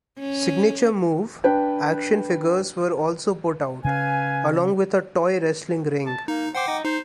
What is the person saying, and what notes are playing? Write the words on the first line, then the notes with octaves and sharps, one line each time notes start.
"Signature Move" action figures were also put out, along with a toy wrestling ring.
C#4
D4 B4 G5
C#3 C#4 B4 F5 G#5
A5
A#3 D#4
C5 F#5 G5 D6
D#4
D#4 C5